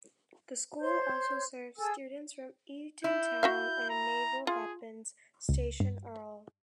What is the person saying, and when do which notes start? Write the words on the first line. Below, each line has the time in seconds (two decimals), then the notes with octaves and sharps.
The school also serves students from Eatontown and Naval Weapons Station Earle.
0.80 C5 C#5 C6 G6
1.77 G#4 A4 G#5 E6
3.04 E4 G6
3.43 F#4 E5 F5
3.89 A#5
4.47 F4 G#4
5.49 C#2
5.80 G2